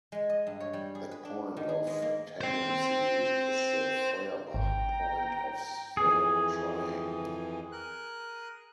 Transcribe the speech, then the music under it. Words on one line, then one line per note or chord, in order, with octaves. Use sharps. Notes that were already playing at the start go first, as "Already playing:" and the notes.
That point of tangency is the Feuerbach point of the triangle.
G#3
D#5
G2
C#5
G3
G#4
B4
D4
D#3
G#4
G#3
A#3
C5 G5
G#1 G5 A#5
F2 E3 G#4
A#4 F#6